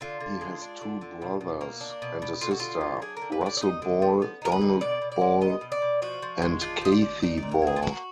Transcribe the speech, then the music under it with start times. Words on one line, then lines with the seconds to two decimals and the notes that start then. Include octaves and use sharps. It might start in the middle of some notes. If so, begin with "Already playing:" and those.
He has two brothers and a sister: Russell Ball, Donald Ball and Cathie Ball.
0.01 D3 F4
0.20 D3
0.41 G#3
0.62 D4
0.81 D3
1.01 D3
1.22 B2
1.41 B2
1.61 A#3
1.81 D4
2.02 B2
2.22 B2
2.41 D3 F4
2.51 F#4
2.60 D3 F4
2.81 F#3
3.02 D4 G#4
3.17 A#4
3.22 D3
3.32 B4
3.41 D3
3.46 D5
3.57 D5
3.61 D#4 D#5
3.82 D3
4.02 F3
4.22 B3
4.42 D#4 A#4
4.52 B4
4.61 D3
4.81 B2 D5
5.02 B2
5.12 D5
5.21 G#3
5.41 B3 D#5
5.61 B2
5.72 D5
5.82 B2
6.02 F3 F#4
6.22 F3
6.42 G#3
6.61 D4 F4
6.81 F3 D#5
6.92 D5
7.02 F3
7.22 D#4 D5
7.37 D5
7.43 A#2
7.51 A#4
7.62 F#3
7.67 G#4
7.76 F4
7.82 A#3 F#4